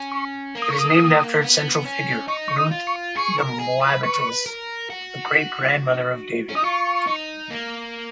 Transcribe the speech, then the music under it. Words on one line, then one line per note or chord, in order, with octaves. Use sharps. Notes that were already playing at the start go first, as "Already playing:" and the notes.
It is named after its central figure, Ruth the Moabitess, the great-grandmother of David.
Already playing: C#4
C#6
A#3
D#6
C#6
D#6
B3
C#4
D#4 C#6
C#6
D#6
F4
C#6
G#4 C#6
A#4
G#4
B4
B4 C#6
A#4
F#4
C#4
D#4 D#6
F4 C#6
D#4
A#3